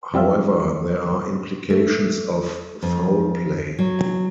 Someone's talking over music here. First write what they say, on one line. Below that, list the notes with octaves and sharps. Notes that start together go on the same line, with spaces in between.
However, there are implications of foul play.
F2 G3 C4 F4 E5
A3
F2
F#3